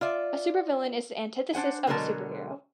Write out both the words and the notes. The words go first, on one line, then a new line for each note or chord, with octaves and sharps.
A supervillain is the antithesis of a superhero.
F4 D5 E5
D4 C5 F#5 G#5
B2 D3 F#3 G#3 A#4 A5